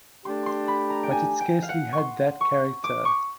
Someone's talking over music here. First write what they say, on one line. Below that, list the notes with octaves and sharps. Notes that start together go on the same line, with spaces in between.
But it scarcely had that character.
A3 D4 G4 C6
C6
B5
A#5
G5
G#5
G5
F5
F#5
C6 C#6
C#6
D6
C#6